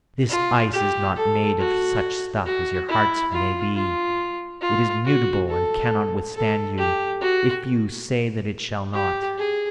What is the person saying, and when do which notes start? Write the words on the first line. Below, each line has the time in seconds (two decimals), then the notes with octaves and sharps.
This ice is not made of such stuff as your hearts may be; it is mutable and cannot withstand you if you say that it shall not.
0.29 F4
0.73 G4
1.16 A4
1.59 F#4
2.46 F#4
2.89 E4
3.32 F4
3.75 F4
4.61 F4
5.05 F#4
5.49 A4
6.34 A4
6.78 G4
7.21 F#4
8.94 G4
9.38 G#4